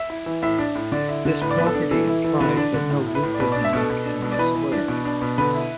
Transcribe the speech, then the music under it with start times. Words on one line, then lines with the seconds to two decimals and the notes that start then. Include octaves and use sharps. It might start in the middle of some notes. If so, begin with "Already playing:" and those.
This property implies that no Euclid number can be a square.
Already playing: E5
0.10 E4
0.26 E3
0.43 A2 E5
0.59 D4
0.75 A2
0.92 D3 D5
1.09 E4
1.25 D3
1.41 A2 B4
1.51 D5
1.58 B3 B4
1.66 A4
1.75 D4
1.91 E3 A4
2.08 E4
2.24 E3
2.40 D3 B4
2.57 D4
2.74 D3
2.90 A2
3.07 E4
3.15 B4
3.23 A2
3.34 D5
3.40 B2 B4
3.52 D4 D5
3.65 E5
3.73 B2 A4
3.90 B2
4.05 D4
4.22 B2
4.32 D5
4.39 E3 B4
4.55 E3
4.72 D4
4.88 B2
5.05 D4
5.22 B2
5.38 D3 B4
5.54 E4